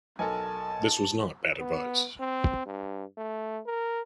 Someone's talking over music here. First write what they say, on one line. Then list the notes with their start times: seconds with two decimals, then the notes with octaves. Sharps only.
This was not bad advice.
0.19 B1 A4 A#4 G#5 A5
1.60 B3
2.20 C4
2.66 G2
3.17 A3
3.66 A#4